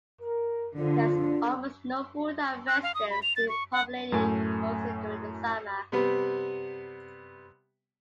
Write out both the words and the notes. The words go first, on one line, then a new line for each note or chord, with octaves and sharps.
It has almost no full-time residents, being populated mostly during the summer.
A#4
A#1 F2 D3 F3 F4
F#6
F5
D#6
B5
F7
A6
C#6
F#5
F#2 A2 A3 G#5
C3 G3 B3 B4